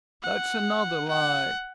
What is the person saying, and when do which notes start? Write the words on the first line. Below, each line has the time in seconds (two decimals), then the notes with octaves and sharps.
That's another lie!
0.23 F#5
1.09 F#5